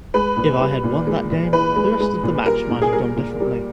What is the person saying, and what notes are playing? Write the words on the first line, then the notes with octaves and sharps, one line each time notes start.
If I had won that game, the rest of the match might have gone differently.
G#3 B4
A#2
G3
A#2
G#3
A#2
E3 B4
G#3
G#3
A#2
G3 A#4
A#2
G#4
G3 A#4
A#2
G3